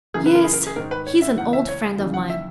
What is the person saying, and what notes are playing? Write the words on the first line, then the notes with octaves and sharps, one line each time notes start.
Yes, he is an old friend of mine.
F#2 C#3 E3 G#4
B4
A#4
G#4
A#4
G#4
G#2 D#3 A#4
B4
C#5
E5
C#2 C#3 E3 F#5
E5
C#5
D#2 C#3 E3
F#5
E5